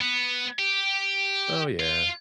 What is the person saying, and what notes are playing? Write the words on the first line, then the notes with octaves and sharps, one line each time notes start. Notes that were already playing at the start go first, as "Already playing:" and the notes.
Oh, yeah.
B3
G4
F4